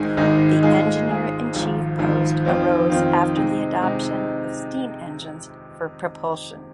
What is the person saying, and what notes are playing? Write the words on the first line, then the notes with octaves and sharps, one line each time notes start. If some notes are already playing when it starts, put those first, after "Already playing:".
The Engineer-in-Chief post arose after the adoption of steam engines for propulsion.
Already playing: G#1 G#2 D#3 G#3 D#4
G#1 G#2 D#3 G#3 D#4
G#2 G#3 F4 G#4
G#2 G#3 F4 G#4
G#1 G#2 F3
G#1 G#2 F3
F2 D#3 C4 F4
F2 D#3 C4 F4
C3 G#3 D#4
C3 G#3 D#4